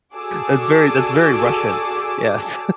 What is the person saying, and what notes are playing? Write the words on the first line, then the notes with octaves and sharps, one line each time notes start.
that's very that's very Russian, yes.
F#4 G#4 A4 D5 D6 E6